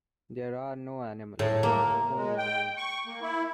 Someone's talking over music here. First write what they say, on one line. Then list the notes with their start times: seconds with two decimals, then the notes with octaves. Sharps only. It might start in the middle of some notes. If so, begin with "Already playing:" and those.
There are no animals, only man.
1.39 A2
1.63 A#3
2.15 G#3
2.38 G5
2.77 C#6
3.06 A#3
3.22 E4